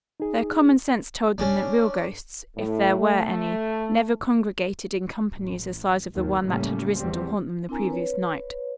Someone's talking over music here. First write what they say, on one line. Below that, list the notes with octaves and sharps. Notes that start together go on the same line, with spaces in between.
Their common sense told them that real ghosts, if there were any, never congregated in companies the size of the one that had risen to haunt them the previous night.
D#4 G#4
C#4 D4
A2
A3
A1
G#1 D#2 D#3
A2 C#3 G3 A3 A#3 C#4
E2 G3 C4
C4 D4 E4 A#4 G#5 A#5
B4 C#5